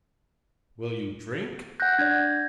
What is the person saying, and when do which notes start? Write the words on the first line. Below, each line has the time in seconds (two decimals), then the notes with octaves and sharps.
"Will you drink?"
1.80 F#5 F#6 G6 A#6
1.99 D4 D5 G#6